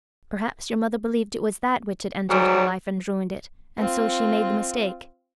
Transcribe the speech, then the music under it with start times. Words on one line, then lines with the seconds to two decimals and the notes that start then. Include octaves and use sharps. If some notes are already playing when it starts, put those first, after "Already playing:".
Perhaps your mother believed it was that which had entered her life and ruined it; and so she made the mistake.
2.30 D2 G#2 F#3 G3
3.78 C4 F4